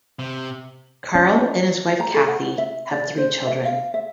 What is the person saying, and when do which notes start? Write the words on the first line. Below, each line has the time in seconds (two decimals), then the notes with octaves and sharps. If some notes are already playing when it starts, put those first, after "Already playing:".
Karl and his wife Kathi have three children.
0.19 C3
1.15 C#4
2.00 A#5
2.14 A4
2.28 F#5
2.58 E5
2.91 D5
3.18 C5
3.47 E5
3.65 F5
3.94 E5